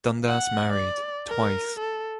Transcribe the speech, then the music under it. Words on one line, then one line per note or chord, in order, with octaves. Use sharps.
Dundas married, twice.
F#5
D5
A#4
A4